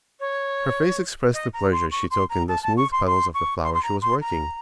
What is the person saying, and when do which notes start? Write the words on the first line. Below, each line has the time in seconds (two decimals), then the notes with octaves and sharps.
Her face expressed the pleasure she took in the smooth petals of the flower she was working.
0.19 C#5
1.33 D#5
1.53 A#5
1.71 C6
1.91 C#6
2.10 C6
2.29 A#5
2.48 A5
2.62 A5
2.77 C#6
2.91 C6
3.06 C6
3.34 C#6
3.63 C6
3.73 C6
3.82 A#5
4.01 C6
4.21 A#5